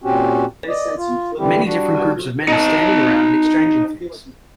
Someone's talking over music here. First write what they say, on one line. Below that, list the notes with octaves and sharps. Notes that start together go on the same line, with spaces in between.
Many different groups of men are standing around and exchanging things.
A#2 C4 C#4 F#4 G4
D5 D#5
F4
D3 E3 G3 C4 E4 G4
G3 D4 F#4
D#4 A5